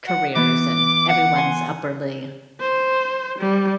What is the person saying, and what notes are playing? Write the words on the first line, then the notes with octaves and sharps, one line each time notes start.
careers and everyone's upwardly
F#5
E3 B3 D6
F#5
G#5 C6
C5
G3